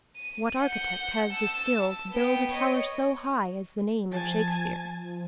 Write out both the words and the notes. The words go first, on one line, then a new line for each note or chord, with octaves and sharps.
What architect has the skill to build a tower so high as the name of Shakespeare?
D#7
F#5 G6
A5 E6
B3 G5
C#5 D#5
F3 G#5 A5